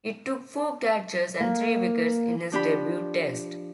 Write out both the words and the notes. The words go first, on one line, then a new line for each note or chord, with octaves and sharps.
He took four catches and three wickets in his debut Test.
A#3
F3 D4 G4 B5